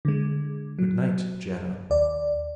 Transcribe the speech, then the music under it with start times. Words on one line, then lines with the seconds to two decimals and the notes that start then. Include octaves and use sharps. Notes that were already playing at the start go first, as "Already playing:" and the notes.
"Good night--Jetta."
0.05 D3 G#3
0.79 F#3
1.90 D#2 D5